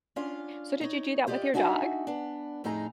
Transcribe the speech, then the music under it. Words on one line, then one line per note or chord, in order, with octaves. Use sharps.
So, did you do that with your dog?
C#4 D4 F4 F5
D#4 C#5
F4 G4 D5 D#5
D4 D#4 F#4 E5 G#5
B3 D4
F2 A2 D#4 G#4 A#5